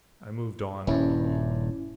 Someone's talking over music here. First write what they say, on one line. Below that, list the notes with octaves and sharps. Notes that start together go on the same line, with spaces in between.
I moved on.
D#1 G2 C#4 E4